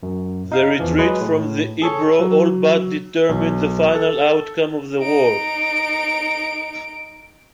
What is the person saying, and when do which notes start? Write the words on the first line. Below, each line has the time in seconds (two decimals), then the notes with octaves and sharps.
The retreat from the Ebro all but determined the final outcome of the war.
0.03 F#2
0.52 D#4 F5
0.80 E2 E3 F3
0.98 F#3 G#3 G#4 B4
1.21 A2
1.82 G#4 A4 C#5
2.20 F#3
3.29 B1
3.95 A4
5.00 D#4 D7